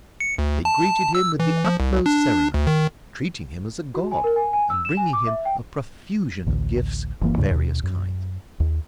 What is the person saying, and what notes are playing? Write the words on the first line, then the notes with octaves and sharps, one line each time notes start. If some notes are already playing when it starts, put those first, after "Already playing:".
They greeted him with the utmost ceremony, treating him as a god and bringing him a profusion of gifts of various kinds.
C#7
D2
A5
E6
E3
F3
C2
D4
D2
D#3
F#4
G#5
A#4
G#5
G#5
E6
E7
G#5
D6
E5
G5
A1 D2
F#1 E3 A#3
D2 G#2 C#3
D#2 B2
F#2
D#2